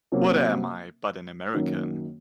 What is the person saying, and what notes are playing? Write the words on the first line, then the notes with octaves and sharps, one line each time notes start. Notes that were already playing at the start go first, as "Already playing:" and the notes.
What am I but an American?
C3 F#3 A#3 C#4
F#2 D#3 A#3 C#4 F#4